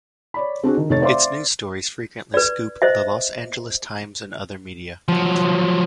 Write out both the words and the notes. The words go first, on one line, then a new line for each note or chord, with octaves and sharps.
Its news stories frequently scoop the "Los Angeles Times" and other media.
C#5 D5 B5
C4 D4 F#4 G#4
D#3
F1 D#4 C#5 A6
C5 D5 E5 F5 C6 D6
B4 D5
C5 D#5 E5
F3 F#3